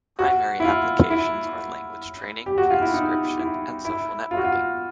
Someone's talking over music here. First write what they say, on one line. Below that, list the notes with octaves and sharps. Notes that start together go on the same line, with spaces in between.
Primary applications are language training, transcription and social networking.
F#4
E4
F4
E4
G4
F#4
F4
E4
D#4
E4
E4
F4
F#4
F4